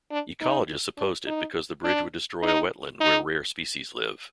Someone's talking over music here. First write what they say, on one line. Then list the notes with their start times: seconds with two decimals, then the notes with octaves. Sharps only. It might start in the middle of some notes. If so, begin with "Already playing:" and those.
Ecologists opposed it because the bridge would destroy a wetland where rare species live.
0.11 D4
0.41 D#4
0.98 D4
1.27 D#4
1.84 D4
2.43 D#4
3.00 D#4